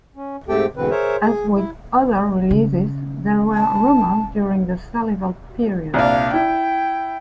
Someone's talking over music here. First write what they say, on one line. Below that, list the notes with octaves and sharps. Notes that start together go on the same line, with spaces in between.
As with other releases, there were rumors during the "Salival" period.
C#4
G#2 A3 C4 G4 A4 G5
G#2 B2 D3 E3 C4 B4
G#4 A#4 C5 C#5 E5
G#4
E4
C#3
A5
C2 A#2 D4 F5
E4 G5